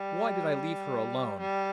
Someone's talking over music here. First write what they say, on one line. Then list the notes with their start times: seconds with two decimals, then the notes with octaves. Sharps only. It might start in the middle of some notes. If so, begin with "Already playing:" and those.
Why did I leave her alone?
Already playing: G3
1.40 G3